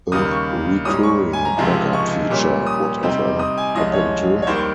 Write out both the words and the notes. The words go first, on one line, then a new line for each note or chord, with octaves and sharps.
A recurring back-up feature Whatever Happened to...?
D#2 C#3 G3 A#3 D#6
C#6
G#2 G3 C#4 D#6
C#6
G#5
A#5
C#2 C3 F3 G#3 D#4
C#6
A#2 G3 C#4
D#6
C3 G3 C4 D#4
D#6
G#5
C2 C3 F3 G#3 C#4 D#5
C#5
C#5
D#2 D#3 G3 C5